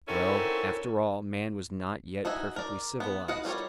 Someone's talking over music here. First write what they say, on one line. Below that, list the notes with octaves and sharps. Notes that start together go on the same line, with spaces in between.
Well, after all, man was not yet perfectly civilised.
D#3 C4 C#4 E4 F#4 A4
D#4 F#4 D#5 E5 G#5
A#4 D5
B3
F#4 B4 D#5 F5 F#5
G3 F4 A#4 C#5